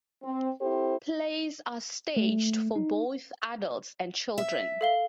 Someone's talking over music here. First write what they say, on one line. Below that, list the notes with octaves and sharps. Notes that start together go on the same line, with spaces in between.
Plays are staged both for adults and children.
C4
C4 E4 G4 A4 C5
A3
D#4
E5
A4 F5 G7